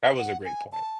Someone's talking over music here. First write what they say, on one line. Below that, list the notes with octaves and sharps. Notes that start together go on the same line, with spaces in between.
that was a great point.
F#5
G#5
A5